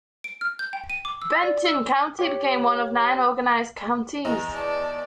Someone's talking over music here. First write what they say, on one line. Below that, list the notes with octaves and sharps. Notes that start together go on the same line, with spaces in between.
Benton County became one of nine organized counties.
D7
F6
G6
G5
D#7
D6
E6
D5
E6
G4 C#5
E2 D#5 A#5
D5 A5